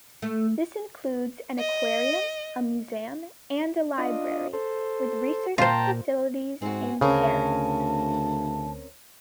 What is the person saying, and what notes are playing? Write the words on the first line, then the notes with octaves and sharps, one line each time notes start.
This includes an aquarium, a museum, and a library, with research facilities in Paris.
A3
D#5
D4 F4 D#5
A4 C5
A#2 F4 C5 G5 A5 A#5
G#2 C4 F#4 G#5
D2 C#3 C4 C#4 A#4 A5